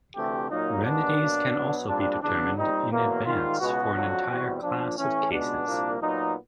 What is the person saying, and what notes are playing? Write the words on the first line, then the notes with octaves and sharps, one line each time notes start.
Remedies can also be determined in advance for an entire class of cases.
D2 C3 E3 A3 C4 G4
A#2 F#3 A#3 D#4
D#2 D#3 G#3 B3 D4
B2 F#3 A#3
B2 F#3 B3
A#2 G3 C4 D4
E2 C#3 F#3 B3 D4
A#2 G3 C4 D#4
E2 B2 F#3 A#3
G#2 D#3 G3 F4
C#2 B2 G#3 B3 F#4
F2 D3 F#3
E2 B2 G3 C4
A#2 F3 A#3 D4
A2 E3 A3 C#4
C#2 B2 G#3 B3 D4
C2 A#2 F3 A#3
A#2 F#3 B3 D#4